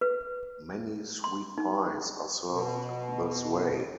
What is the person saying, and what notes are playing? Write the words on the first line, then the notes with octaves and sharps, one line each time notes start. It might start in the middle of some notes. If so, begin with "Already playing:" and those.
Many sweet pies are served this way.
B4
C6
D#4
B2